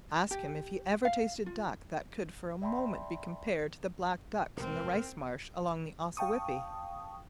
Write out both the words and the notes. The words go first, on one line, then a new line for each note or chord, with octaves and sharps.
Ask him if he ever tasted duck that could for a moment be compared to the black ducks in the rice marsh along the Ossawippi.
G4
F5
F4
D5 E5 G5 A5 B5 C6
F1 D#2 B2 G#3 C4 A#4
F5 G5 A5 C#6 D#6